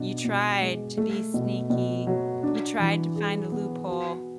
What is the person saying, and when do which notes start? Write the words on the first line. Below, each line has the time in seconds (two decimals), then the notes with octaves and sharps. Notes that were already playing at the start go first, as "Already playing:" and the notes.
you tried to be sneaky, you tried to find a loophole.
Already playing: B2 D4
0.25 B2
0.62 G#3
0.98 A3
1.34 B2
1.70 B2
2.07 F#3
2.43 D4
2.80 E3
3.15 G#4
3.52 B3
3.89 F#4